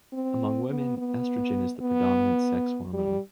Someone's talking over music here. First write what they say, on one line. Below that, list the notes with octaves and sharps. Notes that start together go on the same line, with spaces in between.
Among women, estrogen is the predominant sex hormone.
C4
B3
B3
B3
G3